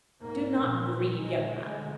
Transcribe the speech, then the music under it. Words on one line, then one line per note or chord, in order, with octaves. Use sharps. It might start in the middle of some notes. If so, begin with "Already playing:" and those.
'Do not grieve, young man!
G#2 A#3
A#1 A#2
A#2 G#3
D3 G#3